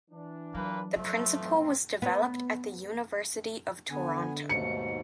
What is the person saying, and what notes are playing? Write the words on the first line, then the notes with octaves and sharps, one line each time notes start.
The principle was developed at the University of Toronto.
E3 D4
A#2 F#3 A#3 B4
F3 F#3 A3
A2 E3 C4
B3
D3 B3 G#5
D#2 G#2 B2 A3 C#7